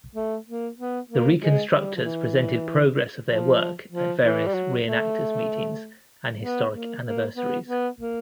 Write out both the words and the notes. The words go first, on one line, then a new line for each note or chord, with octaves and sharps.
The reconstructors presented progress of their work at various reenactors' meetings and historic anniversaries.
A3
A#3
B3
A#3
G#3
G3
F3
E3
F3
F3
E3
G3
F#3
A3
B3
A#3
A#3
B3
B3
A#3